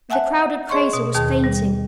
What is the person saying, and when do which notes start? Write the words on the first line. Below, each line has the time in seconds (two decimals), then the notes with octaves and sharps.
The crowded crater was fainting.
0.10 E5 F#5 G#5 A5 F#6
0.69 G#4 C#5 D#5 C6 C#6
0.93 B2
1.15 D#2 B2 D#3 G#4 A5
1.44 G3